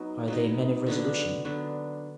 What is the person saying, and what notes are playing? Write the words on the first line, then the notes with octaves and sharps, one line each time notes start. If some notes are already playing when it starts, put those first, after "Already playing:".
"Are they men of resolution?"
Already playing: F#3 B3 D#4
F#3 B3 D#4
D3 F#3 B3 D4
D3 F#3 B3 D4